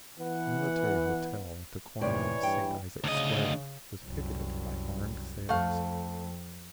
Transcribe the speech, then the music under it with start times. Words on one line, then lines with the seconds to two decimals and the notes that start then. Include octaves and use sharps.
The Military Hotel at the corner of St. Isaac's Square was picketed by armed sailors.
0.20 E3 B3 F#5
2.01 D#2 A2 C3 E3 C#5 D5
2.43 G2 G5
3.04 D2 C#3 D#5
4.05 C2 F#2
5.49 F2 A3 F5